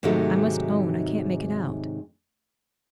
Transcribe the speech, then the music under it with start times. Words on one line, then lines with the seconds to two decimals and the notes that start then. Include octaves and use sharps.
I must own I can't make it out.
0.03 G#2 C3 D#3 F#3 G#3 A3